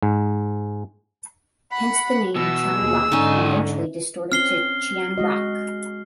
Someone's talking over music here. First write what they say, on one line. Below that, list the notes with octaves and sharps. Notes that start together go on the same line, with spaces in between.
Hence the name Chang Lak and eventually distorted to Chiang Rak.
G#2
F#5 B5
B2 E3 E6
D#2 G#4
B1 G#2 D3 C#4 D#4 G#5
C4 C#4 F6 C7 G7
G#3 F#4 D#5